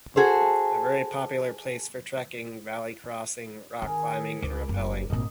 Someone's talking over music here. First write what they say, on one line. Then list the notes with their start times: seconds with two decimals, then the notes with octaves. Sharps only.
A very popular place for trekking, valley crossing, rock climbing and rappelling.
0.16 F#4 G#4 A4 C5
3.82 D#3 G#4 A#4
4.42 C#2 D6
4.68 F#1 D4
5.10 G#1 A#2 D#5